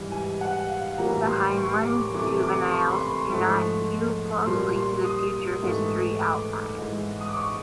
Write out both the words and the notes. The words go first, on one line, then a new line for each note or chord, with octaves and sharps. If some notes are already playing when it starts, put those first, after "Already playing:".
The Heinlein juveniles do not hew closely to the "Future History" outline.
Already playing: G#2 E3 G3
G#5
F#5
F5
A2 E3 G3 A#3 A#5
C6
C#6
D6
C3 E3 A3 D6
D6
C#6
B5
C6
C6
G#2 F3 A3
A#2 G3 A#3 C6
C6
D#6
G#2 E3 A3
D6
G#2 E3 G#3
D#6
D6
C#6